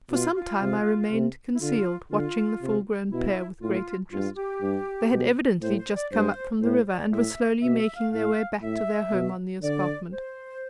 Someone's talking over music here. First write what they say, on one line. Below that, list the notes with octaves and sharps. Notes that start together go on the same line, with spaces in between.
For some time I remained concealed, watching the full-grown pair with great interest: they had evidently just come up from the river, and were slowly making their way back to their home on the escarpment.
B2 F4
F4
C3
C3
E4
D3 F4
D3 F4
C3
B2 E4
A2 F4
G2 F4
G4
G2
B2
A2 C5
C5
D5
G2 C5
A2 C5
D5
A2 E5
B2 E5
E5
F5
A2 F5
A2 E5
B2
D3 D5
C5